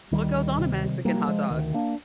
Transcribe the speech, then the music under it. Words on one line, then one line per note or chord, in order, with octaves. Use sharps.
What goes on a Mexican hot dog?
D2 D#3 G3
C3
C3 G3 A#3
F3 G#3
D2 D#3
A#3 D4